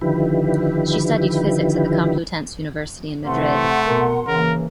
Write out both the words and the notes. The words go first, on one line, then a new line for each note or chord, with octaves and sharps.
She studied physics at the Complutense University in Madrid.
D3 D#3 F3 E4 G4 B4
C3 E3 A3 F#5 C6
B2 A#4
C#3 E3 A#3 A#4